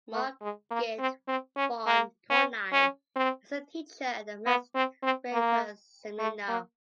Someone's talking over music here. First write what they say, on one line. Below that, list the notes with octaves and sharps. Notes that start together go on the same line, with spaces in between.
Margit von Tolnai is her teacher at the Max Reinhardt Seminar.
A3
G#3
A#3
C4
C4
C#4
A#3
C#4
C#4
C4
B3
C4
C4
A#3
A3
A#3